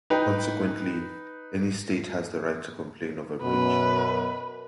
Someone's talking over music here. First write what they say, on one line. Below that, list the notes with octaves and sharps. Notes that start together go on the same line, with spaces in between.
Consequently, any state has the right to complain of a breach.
D#4 B4 G5
F#2 B2 B4